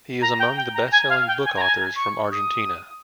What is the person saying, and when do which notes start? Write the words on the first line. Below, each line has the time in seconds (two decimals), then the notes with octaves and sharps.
He is among the best selling book authors from Argentina.
0.22 A#5
0.39 G5
0.57 G5
0.74 A#5
0.92 G#5
1.09 F5
1.27 G5
1.45 G#5
1.56 A#5
1.62 G#5
1.96 C#6
2.32 D#6